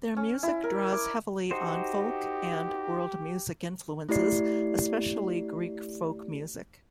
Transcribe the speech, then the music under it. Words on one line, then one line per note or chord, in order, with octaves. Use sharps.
Their music draws heavily on folk and world music influences, especially Greek folk music.
C#4
E4
A#4
D6
D#4 F#4 G4 C5
A3 E4 G4 D5 C7